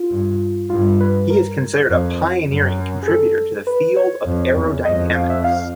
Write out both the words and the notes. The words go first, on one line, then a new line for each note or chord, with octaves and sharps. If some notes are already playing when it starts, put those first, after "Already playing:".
He is considered a pioneering contributor to the field of Aerodynamics.
Already playing: F4
G2
G2 F4
B4
A#4
F2
F#2
G#4
A4
B4
C#5
F2
E2
F2 D#5
F5
E5
F5
F5